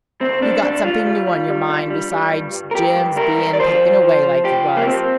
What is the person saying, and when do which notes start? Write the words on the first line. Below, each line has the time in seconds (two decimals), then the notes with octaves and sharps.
You got something new on your mind besides Jim's bein' taken away like he was.
0.21 D2 C4
0.42 G3 D4
0.63 D2 D4
0.84 D2 F4
1.05 G3
1.27 G3
1.48 G3
1.69 D3
1.90 G3
2.12 G3
2.32 G2
2.54 G2
2.71 A#4
2.74 G2 G4
2.96 G2
3.17 G3 A#4
3.38 G2
3.53 D5
3.59 F3 C5
3.81 F2
4.01 F3
4.23 F3
4.44 F3 G4
4.65 F3
4.77 A#3
4.87 F3 C4